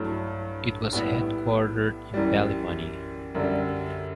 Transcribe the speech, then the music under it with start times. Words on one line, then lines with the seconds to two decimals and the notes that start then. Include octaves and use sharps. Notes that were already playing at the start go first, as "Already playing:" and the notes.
It was headquartered in Ballymoney.
Already playing: G2 F#3 A3 E4
0.92 A2 G3 B3 E4
2.14 F#2 E3 G3
3.35 F#2 D3 G3